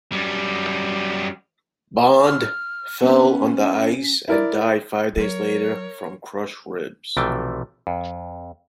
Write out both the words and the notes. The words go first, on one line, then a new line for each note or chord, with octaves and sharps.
Bond fell on the ice, and died five days later from crushed ribs.
F#2 G3
F6
B3 C#4
E4 A#4 D5
F#3 A#4 C#5
B1 C3 E3 F3 A3 G5
F2